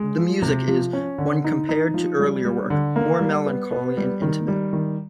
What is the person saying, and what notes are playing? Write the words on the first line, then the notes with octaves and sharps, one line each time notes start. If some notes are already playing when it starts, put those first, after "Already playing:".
The music is, when compared to earlier work, more melancholy and intimate.
Already playing: G#3
F3
C3
F3
C#4
D3
D#4
D#4
F3
G3
G3
D3
A#3
G3
B3
B3
G3
D#3
G3
D#3